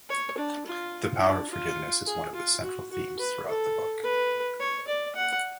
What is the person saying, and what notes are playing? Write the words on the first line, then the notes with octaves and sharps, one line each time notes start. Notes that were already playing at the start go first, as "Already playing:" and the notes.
The power of forgiveness is one of the central themes throughout the book.
C#5
D4
F4
D4
F4
G#4
F4
F#4
F#4
B4
A4
B4
C#5
D5
F#5